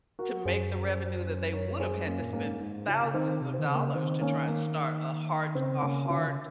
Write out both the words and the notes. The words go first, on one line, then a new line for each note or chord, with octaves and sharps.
to make the revenue that they would've had to spend thousands of dollars to try and start a hard a hard
F#4 A#4
F#2 G#4 C5
A#4 C#5
C#5
G#4 C5
A#3 C#4
A#2
G#2 A#3 C#4
G#2
C#3 C#4 F4
C#3
D#3 C4 D#4
C3
C4
D#3
C#3
A#3
D#3 C4
A#3 C#4
A#3
C#3 C4
C#3 A#3 C#4
F#4
C#3 C#4 F4
D#3
C#3